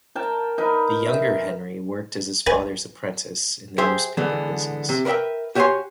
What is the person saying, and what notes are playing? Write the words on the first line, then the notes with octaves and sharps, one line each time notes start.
The younger Henry worked as his father's apprentice in the newspaper business.
A#4 G5 A5
D#4 A#4 B4
E5
B4 G#5 A5
G4 G#4 C5 E5
D3 E3 G#3 B3
C3
A#4 B4 D#5 E5 G5
F#4 G4 C#5 G5 G#5 C6